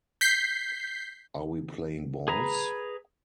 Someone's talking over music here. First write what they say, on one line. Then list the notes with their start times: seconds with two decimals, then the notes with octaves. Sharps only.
Are we playing balls?
0.21 G6 B6 C7
2.28 G#4 B4 A#5